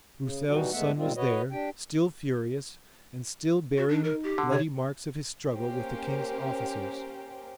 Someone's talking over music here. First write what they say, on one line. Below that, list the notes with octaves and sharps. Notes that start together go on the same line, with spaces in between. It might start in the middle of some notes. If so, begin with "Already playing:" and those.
Broussel's son was there, still furious, and still bearing bloody marks of his struggle with the king's officers.
C#3
B2 E3 G3 D#4 F#4
G#2 G#3 A3 B3 E5 F#5
A#2 D#3 G3 G#3 C4 F4
F#4 B4 C#5 D#5
D4 G4 G5
F#4
D4 D#4
A#4
G4
D3
C3 C#5
A#3 C#4 G4 A#4 C5